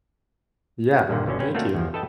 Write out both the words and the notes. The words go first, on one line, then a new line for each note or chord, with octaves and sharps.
Yeah, thank you.
G2 A#2 D3 D#3
G1 B2 D3 C#4
C4 C#4 B4
A3 A#3 C4 D4 F#4
E2 G2 F3
A4 B4 D#5 G5 A5